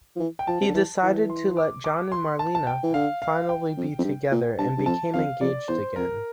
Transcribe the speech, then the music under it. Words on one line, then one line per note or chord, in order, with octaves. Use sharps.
He decided to let John and Marlena finally be together and became engaged again.
F3
E3
G5
F3 A5
C3
D3
E3
E3
C6
D6
D6
C6
A5
A5
G5
E3
D3 F5
F5
G5
F2
F2
G2
A#2
G2 A5
G2
F2 A5
F2 F5
F2 D5
E2 C5
F2 A#4